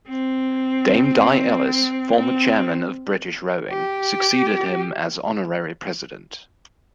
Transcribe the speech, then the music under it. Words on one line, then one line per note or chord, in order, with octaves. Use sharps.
Dame Di Ellis, former chairman of British Rowing, succeeded him as Honorary President.
C4
C4
G4